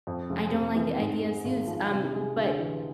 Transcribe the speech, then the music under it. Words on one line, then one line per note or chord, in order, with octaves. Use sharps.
I don't like the idea zoos, um, but
F2
F1
F1
E3
G#2
G#3
G#1
F3
C3
G#3
D2
E3